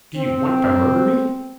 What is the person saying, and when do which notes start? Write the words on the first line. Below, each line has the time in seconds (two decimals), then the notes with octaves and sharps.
"Do you want to murder me?"
0.17 C4